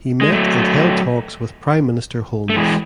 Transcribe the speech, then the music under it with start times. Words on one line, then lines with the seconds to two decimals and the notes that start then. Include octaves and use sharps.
He met and held talks with Prime Minister Holness.
0.21 G#3
0.32 F#3 A3
2.50 A3
2.56 E3 G#3